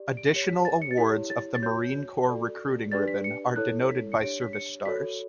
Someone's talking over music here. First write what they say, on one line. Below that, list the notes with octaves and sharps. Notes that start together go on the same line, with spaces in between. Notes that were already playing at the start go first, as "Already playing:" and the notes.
Additional awards of the Marine Corps Recruiting Ribbon are denoted by service stars.
Already playing: G4 D5
D7
G4 C#5 C#7
B6
A6
C#7
A6
E4 G4 C#5 B6
A6
A6
F#4 C#5 G6
F#4 A4 D5
D4 G4 B4 D5 A6
B6
C#7
E4 A4 C#5 F#6
B6
C#7
D4 G4 C#5 D7
B6
C#7
F#4 A4 C#5 B6